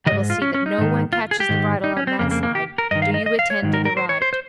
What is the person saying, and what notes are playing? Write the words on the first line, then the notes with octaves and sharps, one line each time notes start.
I will see that no one catches the bridle on that side; do you attend to the right.
D#3 D#5
G#2
F4
C#4
C#4
D#4
G#2 D#3
F4
G#4
G4
G#2 D#3
D#4
C#4
C4
F2 C#3 A#3
A#3
A#3
G4
A#4
G2 D#3 D#5
F5
D#5
D#5
F5
C#5
G#2 D#3
A#4
A#4
C5
C#5
C5
C5